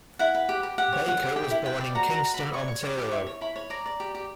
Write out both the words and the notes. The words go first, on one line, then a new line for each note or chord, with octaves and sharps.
Baker was born in Kingston, Ontario.
E4 F#5
B4
G4
G4
G4 F#5
C#5
C#5 F#5
G4
G4 G5
E4
B4 G5
D5
F#4 A#5
F#4 A#5
F#4
B5
D5
C#5 C#6
C#5
G4 D6
G4
E4 C#6
C#5
E4 B5
C#5
D5 A#5
D5
G4
G4